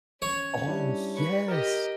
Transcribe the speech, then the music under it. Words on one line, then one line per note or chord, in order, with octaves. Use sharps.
Oh, yes!
C#4 C#5
G3 D4 E4
B4 C#6
G4 A#4 D#5